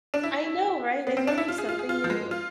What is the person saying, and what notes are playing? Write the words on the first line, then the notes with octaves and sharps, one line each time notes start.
I know, right? I learned something new.
D4
E4
B3
C4
D4
E4
F4
G#4
F4
G#4
F4
F3
G#3
F4